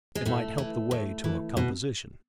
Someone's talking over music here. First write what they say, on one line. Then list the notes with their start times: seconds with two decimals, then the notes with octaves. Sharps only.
"It might help the way to a composition."
0.15 G#3
0.25 A2 A3
0.58 E3
0.91 A2
1.24 E3
1.57 B2